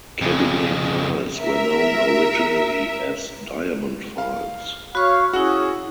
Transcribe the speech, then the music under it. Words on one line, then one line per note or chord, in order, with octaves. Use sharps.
Cabinet files were known originally as Diamond files.
F2 C#3
A#4 E5
F5
F#4 C#5 F5 B5 C#6
C#4 E4 F#4 G#4 F#5